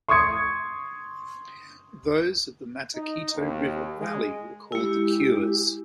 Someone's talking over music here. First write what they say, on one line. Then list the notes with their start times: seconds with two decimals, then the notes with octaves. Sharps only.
Those of the Mataquito River valley were called the "Cures".
0.09 C6 C#6 D#6 G#6 C#7
2.95 D#4
3.36 D#2
3.99 G#3
4.72 G#3 E4 G4